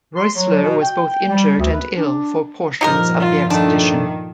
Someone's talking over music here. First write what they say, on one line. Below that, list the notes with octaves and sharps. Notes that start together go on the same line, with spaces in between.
Roessler was both injured and ill for portions of the expedition.
C6
F#3
B2
G5
G3
D2
B4
D4
G2 A#2 F3 D#4 G4 A#4
F4
D#3 A3 D4